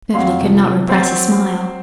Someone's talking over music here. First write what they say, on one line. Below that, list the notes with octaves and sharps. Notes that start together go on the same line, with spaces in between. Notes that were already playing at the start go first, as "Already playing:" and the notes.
Beverly could not repress a smile.
F2 F#3 F5 C6
C3 F3
F#3 C4 C6 A6